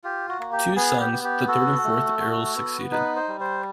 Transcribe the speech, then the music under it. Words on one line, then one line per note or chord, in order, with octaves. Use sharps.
Two sons, the third and fourth Earls succeeded.
F4 G4
F#4
A#3
G4
B3 G#4
G4
B3
G4
F#4 A4
A3
F#4
B3
D#4 B4
C5
G3
C5